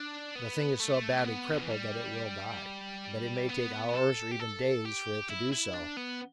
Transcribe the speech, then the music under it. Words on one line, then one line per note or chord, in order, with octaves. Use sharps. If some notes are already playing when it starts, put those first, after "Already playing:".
The thing is so badly crippled that it will die, but it may take hours, or even days, for it to do so.
Already playing: D4
B3
A3
B3
D3
E3
G3
B3
A4
G4
A4
G4
E4
E4
D4
B3